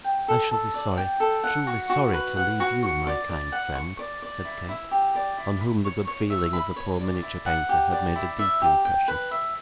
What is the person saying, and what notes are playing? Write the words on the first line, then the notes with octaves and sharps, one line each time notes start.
'I shall be sorry--truly sorry to leave you, my kind friend,' said Kate, on whom the good feeling of the poor miniature painter had made a deep impression.
G5
A4
A4
D5
G5
A4
F#5
F#4
F#4
B4
F#5
F#4
C#6
D5
D5
F#5
C#6
D5
D5
E4
E4
G4
D5
E4
B5
C#5
C#5
E5
B5
C#5
D5
E4
F#5
G4
D5
E4
E5
G4
G5
B4
E5